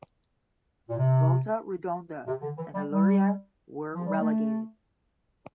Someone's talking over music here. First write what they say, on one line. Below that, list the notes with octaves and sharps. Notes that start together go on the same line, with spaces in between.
Volta Redonda and Olaria were relegated.
A#2
C3
C3
D3
E3
G3
G3
F3
G3
A3